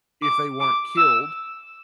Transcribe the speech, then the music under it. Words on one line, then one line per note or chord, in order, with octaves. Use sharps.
if they weren't killed,
D6
D6
E6